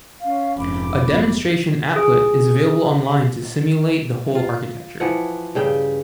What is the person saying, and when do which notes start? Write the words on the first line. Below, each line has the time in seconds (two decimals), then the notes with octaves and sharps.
A demonstration applet is available online to simulate the whole architecture.
0.22 C#4 F5
0.57 F1 G#2 C#4 B5 D6
1.08 B3
1.96 G#4
4.35 F4
5.00 E3 F3 F#5
5.55 G2 C#3 G5